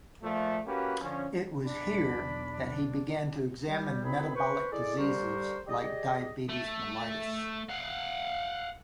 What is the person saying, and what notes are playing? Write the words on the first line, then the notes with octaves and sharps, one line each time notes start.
It was here that he began to examine metabolic diseases like diabetes mellitus.
A#2 F3 A3
A#3 C#4 F#4 G4 B4
D3 F3 C#4
B1 E2 D4 B5
G3
D2 C4 D#4 G#4 B5
B4 C5 C#6
G#3 E4 A4 D5
D3 G3 G4 A#4 C5 C#6
G4 G#4 D5 D#5
A3
F5 F#5